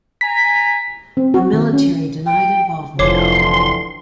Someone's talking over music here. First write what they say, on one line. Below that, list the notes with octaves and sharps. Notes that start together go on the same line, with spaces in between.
The military denied involvement.
G#5 A#5 B6
C4
F#4
D#3
C#4
G5
F1 D3 E3 F3 C#5 C6 D6